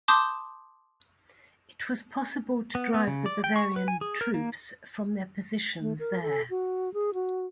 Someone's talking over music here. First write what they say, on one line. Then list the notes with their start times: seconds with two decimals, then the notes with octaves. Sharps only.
It was possible to drive the Bavarian troops from their positions there.
0.08 A5 C6 D6 D#6 G6
2.75 B3
2.94 B3
3.07 C#3
3.26 D5
3.44 G5
3.56 C#6
3.76 B4
3.88 G#5
4.01 G#4
4.21 A#4
4.34 A#3
5.81 A3
5.99 A#4
6.22 A4
6.50 F#4
6.94 G#4
7.14 F#4